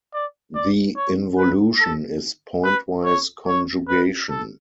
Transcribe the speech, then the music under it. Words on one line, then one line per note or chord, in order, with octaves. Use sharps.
The involution is pointwise conjugation.
D5
D5
C#5
B4
A4
B4
C#5
C#5
B4
A4